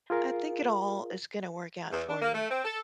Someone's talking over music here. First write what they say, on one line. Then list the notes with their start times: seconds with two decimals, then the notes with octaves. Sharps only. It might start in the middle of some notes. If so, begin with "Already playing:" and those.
I think it all is gonna work out for you.
0.10 F4 G#4 A#4 F5
1.91 E2
2.09 D4
2.22 A#3
2.33 A3
2.51 C4
2.64 A4